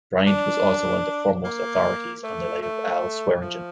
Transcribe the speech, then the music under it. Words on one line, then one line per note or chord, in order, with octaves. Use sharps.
Bryant was also one of the foremost authorities on the life of Al Swearengen.
D4
A#3
A3
A3
F3